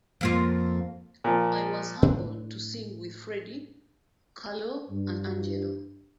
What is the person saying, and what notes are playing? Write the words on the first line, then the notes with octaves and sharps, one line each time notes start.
I was humbled to sing with Freddie, Carlo and Angelo.
F2 A#3 F4
A#2 F3
A2 D4
G2